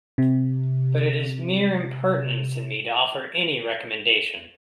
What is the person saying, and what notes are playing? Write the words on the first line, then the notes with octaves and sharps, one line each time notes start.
But it is mere impertinence in me to offer any recommendation.
C3